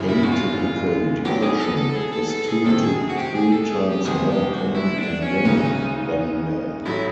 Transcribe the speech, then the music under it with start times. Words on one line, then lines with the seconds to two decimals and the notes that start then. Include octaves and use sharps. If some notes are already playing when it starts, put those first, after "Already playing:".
Atypical depression is two to three times more common in women than in men.
Already playing: G#1 F#2 C#3 E3 G3
0.09 E4
0.23 F#4
0.32 F4
1.25 A2 F#3 B3 D4 G4
1.42 G#4
1.60 A4
1.77 A4
1.95 G#4
2.12 A4
2.30 A4
2.48 G#4
2.64 F2 C3 D#3 A4
2.82 G#4
3.09 F#4
3.18 G4
3.35 G#4
3.52 A4
3.70 G#4
3.88 G4
4.05 F2 C3 D#3 G#3 B3 G#4
4.28 G4
4.52 F#4
4.75 E4
4.98 D4
5.22 C#4
5.45 D2 C#3 F#3 D#4
6.86 A1 A2 F#3 A3 E4